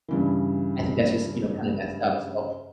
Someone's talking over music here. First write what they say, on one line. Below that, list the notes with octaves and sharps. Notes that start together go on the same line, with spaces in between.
I think that's just, you know, kind of messed up, So,
G2 C#3 E3